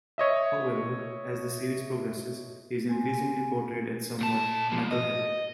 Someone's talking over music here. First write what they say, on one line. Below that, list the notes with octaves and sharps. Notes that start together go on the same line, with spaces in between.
However, as the series progresses, he is increasingly portrayed as somewhat knuckle-headed.
C#5 D#5 E5
C4 G#5
A#2 A5
F3 G#3
D#5